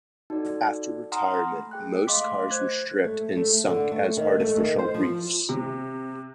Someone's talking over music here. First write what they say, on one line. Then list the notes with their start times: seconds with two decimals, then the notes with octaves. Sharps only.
After retirement, most cars were stripped and sunk as artificial reefs.
0.30 D#4 F#4 A4 D5
1.12 F#5 G#5 A#5 C6 D#6 F6
1.51 A3
1.71 G#4 G5 F#6
2.07 A3 D#5 F5 C6 D6 B6
2.51 C5 F#6 G#6
3.04 A3
3.37 A3
3.68 D3
3.92 A3
4.17 D#3
4.40 A3
4.57 D#3
4.79 C5
4.94 F3
5.49 C3